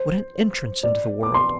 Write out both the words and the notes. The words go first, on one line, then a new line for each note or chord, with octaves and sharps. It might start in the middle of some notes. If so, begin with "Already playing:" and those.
What an entrance into the world!
Already playing: C5
D5
D6
C6